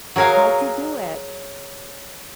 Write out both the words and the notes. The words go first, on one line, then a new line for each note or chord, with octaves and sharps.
How'd you do it?
F#3 G#4 A#4 C#5 F5